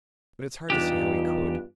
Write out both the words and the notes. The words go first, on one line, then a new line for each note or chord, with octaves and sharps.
But it's hard to see how he could.
E2 G2 D4 D#4 F4 G4